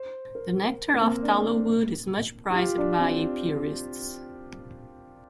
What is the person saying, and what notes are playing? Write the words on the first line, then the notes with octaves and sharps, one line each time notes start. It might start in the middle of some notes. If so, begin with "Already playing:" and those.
The nectar of tallowwood is much prized by apiarists.
Already playing: C5
A#4
A#3
C4
D4
G4
F4
D4
C4